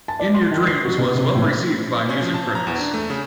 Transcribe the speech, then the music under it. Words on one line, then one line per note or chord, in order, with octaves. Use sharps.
"In Your Dreams" was well received by music critics.
A5
D5
C6
D#3
C7
F#4
B2
C3
A2
C#4
F3
A5
A#5
E2
D4
A3
C#3